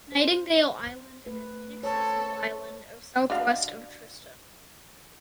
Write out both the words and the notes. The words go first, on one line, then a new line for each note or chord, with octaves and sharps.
Nightingale Island and Inaccessible Island are southwest of Tristan.
C5
A3 B4
A4 C5 C#5
D4 F#4 F5